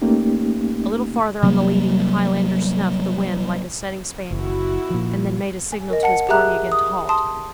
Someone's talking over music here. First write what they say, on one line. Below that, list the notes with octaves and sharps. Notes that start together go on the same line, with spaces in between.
A little farther on the leading Highlander snuffed the wind like a setting spaniel, and then made a signal to his party again to halt.
A3 A#3 C#4 D#4 G4
C3 F#3 G3 A#3
F#1 E4 F#4
A#2 F3
G#5
A#4 D#5
F#5 A5 C#7
G4 G#4 E5 A#5 F#6
D#6
A5 C6 D#6